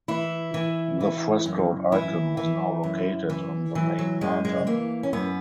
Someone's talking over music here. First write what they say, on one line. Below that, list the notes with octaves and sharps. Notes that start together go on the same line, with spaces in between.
The frescoed icon was now located on the main altar.
E3 E4
E3
E3
F#2
E3 E4
E3
F#2
E3
E3 F#3
F#3
F#2 G#3
G#3
E3 A#3
C#4
F#2 B3